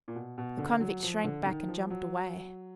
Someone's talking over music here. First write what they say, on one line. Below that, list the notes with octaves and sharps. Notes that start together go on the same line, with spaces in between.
The convict shrank back and jumped away.
A#2
B2
B2
D3
F#3
F3
D3
D#3
F3
F#3